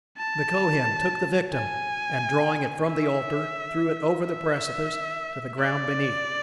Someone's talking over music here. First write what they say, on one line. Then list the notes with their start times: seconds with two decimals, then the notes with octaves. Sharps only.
The Kohen took the victim, and drawing it from the altar, threw it over the precipice to the ground beneath.
0.17 A5
1.53 G#5
2.89 E5
4.24 E5
5.59 D5